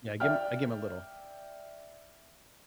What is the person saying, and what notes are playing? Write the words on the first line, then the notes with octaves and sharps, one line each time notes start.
Yeah, I give him I give him a little.
D5 E5 G5 F6